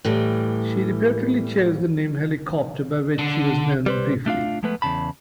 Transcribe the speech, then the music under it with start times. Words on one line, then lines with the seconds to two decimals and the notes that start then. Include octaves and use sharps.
She reportedly chose the name "Helicopter" by which she was known briefly.
0.05 A2 E3 G3
3.19 D3
3.86 G3 B4 C5
4.26 A3 D4 F4 F5
4.63 F3 G#3 A3 B3 B4
4.82 E2 G#2 C#3 A5 B5